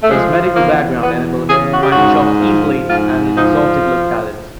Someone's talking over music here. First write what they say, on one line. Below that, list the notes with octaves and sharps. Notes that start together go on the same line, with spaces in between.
His medical background enabled him to find jobs easily and in exotic locales.
A3
F3 G#3
E2 A#3
E2 B3
C#3 G#4
F#4
G4
G#2 F#4
F3
G#2 F4
F3 D#4